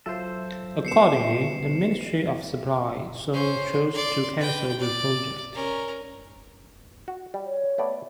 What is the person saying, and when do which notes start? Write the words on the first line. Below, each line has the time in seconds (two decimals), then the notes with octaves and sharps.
Accordingly, the Ministry of Supply soon chose to cancel the project.
0.06 F#3 F4 A4 C5 E5
0.85 G3 B3 C4 C7 C#7 E7
3.33 C#4 C5
3.94 D5 C6
4.39 B4 G5
4.79 D5
5.54 C#4 A#4
7.08 F#4
7.34 G3
7.45 C#5
7.78 A3 B3 D5